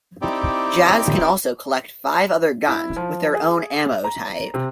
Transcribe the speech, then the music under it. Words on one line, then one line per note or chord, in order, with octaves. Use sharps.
Jazz can also collect five other guns with their own ammo type.
C4 D#4 E4 G4 D5 G5
E4
F3
G#4
A#5
C3